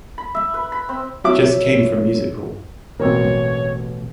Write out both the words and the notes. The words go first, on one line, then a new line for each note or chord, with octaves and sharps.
Just came from Music Hall.
B5
E5
B4
B5
C4
F2 F#3 E4 C#5 D6
A1 B2 F#3 A#3 C4 C#5